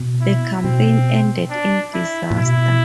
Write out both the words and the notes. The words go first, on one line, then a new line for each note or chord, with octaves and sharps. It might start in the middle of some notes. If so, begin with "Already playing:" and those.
The campaign ended in disaster.
Already playing: B2
E4
B2 C4
D4
E4
A2
B2 E4